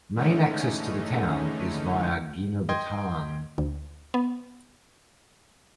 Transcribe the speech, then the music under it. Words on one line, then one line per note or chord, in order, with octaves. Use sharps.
Main access to the town is via Guinobatan.
D3 E3 G#3 A3 C#4 D#4
D#5 G5 C6 G#6
D2
B3